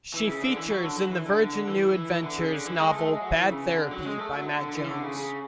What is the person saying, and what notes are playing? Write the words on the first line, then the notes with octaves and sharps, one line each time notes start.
She features in the Virgin New Adventures novel "Bad Therapy" by Matt Jones.
E3
C#3
D3
E3
F#3
D3
F#3
E3
D3
D3
D3
E3
D3
C#3
D3
E3
G#3
A3
G#3
F#3
E3
C#3
D3
F#3
G#3
A3
F#3
D3
D3
E3
D3
C#3
C#3